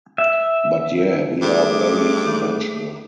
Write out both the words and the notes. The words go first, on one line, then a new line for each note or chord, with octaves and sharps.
But, yeah, we are very conventional.
E5
G2 A3 G#4 D6